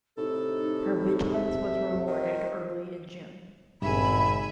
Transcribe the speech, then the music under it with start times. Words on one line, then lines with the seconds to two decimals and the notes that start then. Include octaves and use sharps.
Her vigilance was rewarded early in June.
0.18 A2 C3 D#4 A4
1.34 A3 E5
2.07 D#3 C5
3.82 G#1 G2 A#2 C#3 E5 G#5 B5